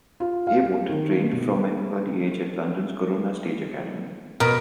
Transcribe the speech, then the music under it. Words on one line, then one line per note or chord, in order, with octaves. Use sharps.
Haywoode trained from an early age at London's Corona Stage Academy.
F4
F5
G4
D#3
B2
B2 A#4